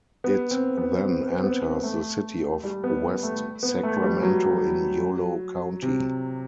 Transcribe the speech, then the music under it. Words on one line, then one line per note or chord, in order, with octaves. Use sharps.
It then enters the city of West Sacramento in Yolo County.
B3
C4
B3
C4
C4
B3
A3
G3
B3
A3
B3
A3
G3
F#3
C3